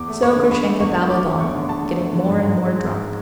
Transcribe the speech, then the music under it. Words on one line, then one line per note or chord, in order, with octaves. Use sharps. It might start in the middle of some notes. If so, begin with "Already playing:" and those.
So Grushenka babbled on, getting more and more drunk.
Already playing: E2 D6
A3
E2 C#6
D3
E2 B5
A3
E2 C#6
D3
E2 D6
A3
E2 C#6
D3
E2 A5
A3
E2
D3
G#2
G#2
G#3
G#3
G#2